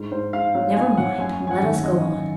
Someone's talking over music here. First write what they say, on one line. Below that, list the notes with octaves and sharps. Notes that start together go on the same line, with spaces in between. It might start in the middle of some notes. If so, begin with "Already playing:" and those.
"Never mind; let us go on."
Already playing: G#2
G#2 C5
G#2 F5
F#3 F5
F#3 G#5
F#3 F#5
F#2 G#5
F#3
G#5
F#5
D#3
F#2 D#5
F#2